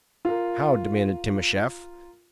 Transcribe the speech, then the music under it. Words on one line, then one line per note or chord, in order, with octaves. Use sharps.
"How?" demanded Timascheff.
F4 A#4